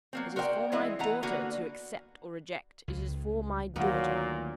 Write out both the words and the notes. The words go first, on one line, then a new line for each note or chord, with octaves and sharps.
'It is for my daughter to accept or reject; it is for my daughter.
F#3 A#3 C4
F#4 A#4 C5 D5 F5 G5
E3 G#3 C4 E4 D#5
E3 B3 F#5 A#5
D3 A#3 F#4 B4
C#2
D2 A#2 D#3 F#3 A#3 B3